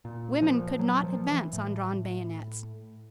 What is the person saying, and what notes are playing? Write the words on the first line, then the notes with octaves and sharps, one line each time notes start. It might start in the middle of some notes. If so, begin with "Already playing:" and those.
Women could not advance on drawn bayonets.
A#2
F3
F#3
F3
E3
A2